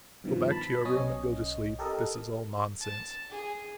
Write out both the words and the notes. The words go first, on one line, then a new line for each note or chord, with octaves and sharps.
"Go back to your room and go to sleep. This is all nonsense."
G2 B2 D#3 F3
A5 B5
B1 C#4 C#5 D#5
G4 A4 A#4 D#5
A5
G#4